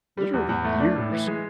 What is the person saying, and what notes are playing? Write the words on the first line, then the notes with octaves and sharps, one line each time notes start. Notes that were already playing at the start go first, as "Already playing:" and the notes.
literally years.
G3
E2
E2
A3
D4
A2
E3
G#3